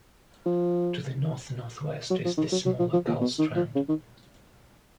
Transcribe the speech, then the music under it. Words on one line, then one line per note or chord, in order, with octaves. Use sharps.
To the north-northwest is the smaller Gullstrand.
F3
F#3
F3
D#3
F#3
F#3
F3
F3
A#2
B2
D#3
F3
C#3
D#3